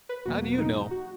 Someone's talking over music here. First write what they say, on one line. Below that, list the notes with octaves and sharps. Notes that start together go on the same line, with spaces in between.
How do you know?
B4
E2 B2 F#3 A#3 F#4
D#4
F#4